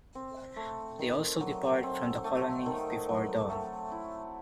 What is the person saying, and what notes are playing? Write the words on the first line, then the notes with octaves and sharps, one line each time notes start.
They also depart from the colony before dawn.
C4
A3
D#3
F#3
C4
A3
D#3
F#3
A3
E4